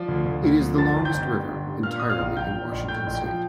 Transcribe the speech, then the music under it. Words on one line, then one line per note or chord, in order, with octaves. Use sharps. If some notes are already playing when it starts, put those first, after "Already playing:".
It is the longest river entirely in Washington state.
Already playing: F3 D5
D2
D2
D2
F3
G1 A5 A6
G1
G5 G6
G1
G2
G1
G2
A#2 F5 F6
A#2 D#6
F5 F6
A#1
A#1 G5 G6
A#2
A#1
A2 G5 G6
A#1
G5 G6
F3